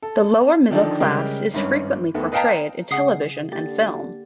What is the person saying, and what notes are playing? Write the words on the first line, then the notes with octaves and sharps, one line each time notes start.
The lower-middle class is frequently portrayed in television and film.
A4
D3 D#3 F3 D4 D#4 A4
C#3 G3 G#3 G4 A#4
G#1 G2 C#4
D#2 A3 B3
B4 D#5 F5 G5 A5 A#5
C#3 G#3 G#4 F#5 D#6 C7
D3 A#3 G4 A6